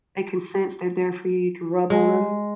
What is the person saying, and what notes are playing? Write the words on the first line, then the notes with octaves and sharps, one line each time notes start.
They can sense they're there for you; you can rub on 'em,
G#3